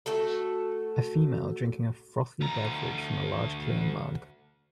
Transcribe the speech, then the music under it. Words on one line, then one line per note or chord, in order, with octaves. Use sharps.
A female drinking a frothy beverage from a large clear mug.
A3 F#4 A4
D2 A#5